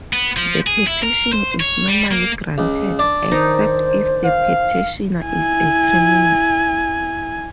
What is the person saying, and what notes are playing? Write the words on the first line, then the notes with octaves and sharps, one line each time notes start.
The petition is normally granted, except if the petitioner is a criminal.
B3
F3
G#4
E4
A#4
C5
C#5
G3
A#3
C#2
D4
D#3 D#4 C5
F5
E4 G#5